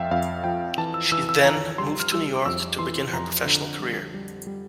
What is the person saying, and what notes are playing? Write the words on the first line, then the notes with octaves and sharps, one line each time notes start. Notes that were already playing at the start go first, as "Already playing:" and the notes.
She then moved to New York to begin her professional career.
Already playing: F2 F3 E5 F5 G5
F2 F5
F3 G5
E3 A5
E6
E3 E6
E6
E3 A#5
G3 C6
F6
G3 E6
D6
F2 E6
E3 C6
F2 A#5
D3
G3
G3
G3